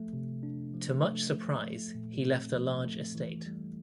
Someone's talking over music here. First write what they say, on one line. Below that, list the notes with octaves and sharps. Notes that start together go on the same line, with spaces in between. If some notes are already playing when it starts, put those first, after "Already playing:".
To much surprise he left a large estate.
Already playing: F3 A3
C3
D4
F3
A3
F3
A3
A#2
C4
F3
A3
E3
G3